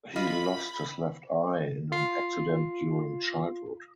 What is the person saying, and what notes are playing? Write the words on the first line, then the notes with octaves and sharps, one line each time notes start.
He lost his left eye in an accident during childhood.
F4 D#5 B5
F4 C7